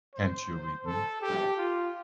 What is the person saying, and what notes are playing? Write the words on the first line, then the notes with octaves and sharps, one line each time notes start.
Can't you read me?
C5
A4
G4
F4